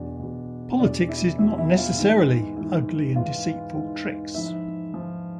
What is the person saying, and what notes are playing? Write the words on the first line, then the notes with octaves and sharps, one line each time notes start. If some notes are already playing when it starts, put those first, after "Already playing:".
Politics is not necessarily ugly and deceitful tricks.
Already playing: E2 B2 D4 D5
E2 B2
E2 B2 D4 D5
E4 E5
E2 B2 E4 E5
E4 E5
F4 F5
G#2 E3
G#2 E3
G#2 E3 F4 F5
G#2 E3
G#2 F3 E4 E5
G#2 F3